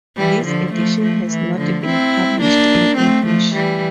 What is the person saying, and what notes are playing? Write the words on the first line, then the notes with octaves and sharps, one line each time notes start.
This Edition has not been published in English.
E3 G3
D3 F3
F3 A3
F3 A3
E3
D3 F3
C4 E4
A#3 D4
A3 C4
F3 A3
E3 G3